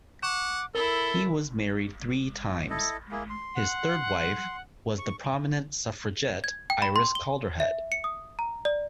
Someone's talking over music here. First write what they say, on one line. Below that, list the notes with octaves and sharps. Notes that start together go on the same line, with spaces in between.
He was married three times; his third wife was the prominent suffragette Iris Calderhead.
F#5 C#6 D6 E7
E4 A4 A#4 G7
E4 A4 D#5
A#3 E4 G#4
C6
F#5
C#6
G#6
G5
B5
C6
G7
E5
C#7
D#6
A#5
D5